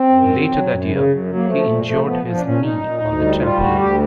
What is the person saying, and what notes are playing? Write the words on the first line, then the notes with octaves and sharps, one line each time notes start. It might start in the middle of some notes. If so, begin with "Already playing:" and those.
Later that year, he injured his knee on the trampoline.
Already playing: C4
F#2
F#3
F#3
F#2
C#3
F#2
F#3
A#3
F3 A3
A#2
F3 A3
F3 B3
F3
D4
A#2 C#4
A#2 D#4
A#2
D2
G3
G3 F4
D2 F#4
D2 G4